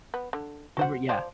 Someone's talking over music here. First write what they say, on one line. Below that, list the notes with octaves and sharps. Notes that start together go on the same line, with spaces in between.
M great, yeah.
B3
D3
F#4 C5 F#5
F3 C5 D5